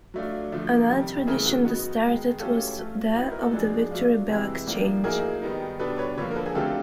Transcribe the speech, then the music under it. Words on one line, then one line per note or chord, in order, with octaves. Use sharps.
Another tradition that started was that of the Victory Bell exchange.
F#3 A3 D4 F4
D3 F3 A3
C3 D#3 G3
C#3 E3 A3 G#4 A#4
F#4
F#3 B3 D#4 F#4
D#3 G#3 B3
F#3 A3 C#4 F4 G4 A4
F#3 A3 C#4 F4
A2 F#3 B3 D#4 B4
A#4
A4
F3 G#3 B3 D4 F#4 G#4
F#3 A3 D4 F4
C3 E3 G#3 C4 E4
A2 F3 A#3 D4
A2 F#3 A#3 D#4 G#4 A#4
D#3 G3 B3 D#4
B2 G3 B3 D4 A4 B4
B4 C#5
D3 F3 A#3 B4 C#5
A#4
A4 B4
G#4
D3 F#3 A3 C4 F4 G4 A4